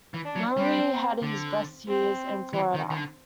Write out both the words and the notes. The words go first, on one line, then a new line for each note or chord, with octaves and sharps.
Lowry had his best years in Florida.
E3
D4
F#3
G3 C4
D3
C4
E3
D#3
D#3
D3